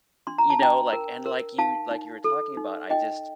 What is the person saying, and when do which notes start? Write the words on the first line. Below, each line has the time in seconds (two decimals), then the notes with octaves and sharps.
you know like and like you like you were talking about, I just
0.27 D4 C6
0.38 A#5
0.50 A5
0.59 D4 G5 A#5
0.93 A#4
1.26 A#4
1.58 D#4 F5 A5
1.91 D#4
2.24 A4
2.57 D#4
2.90 D#4 D#5 G5